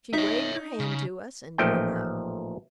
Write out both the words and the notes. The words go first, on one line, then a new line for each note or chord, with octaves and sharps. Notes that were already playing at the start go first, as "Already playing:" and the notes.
She waved her hand to us and drove up.
D#4 C#5 E5
C#3
A1 A#2 F3 A3 D#4 G5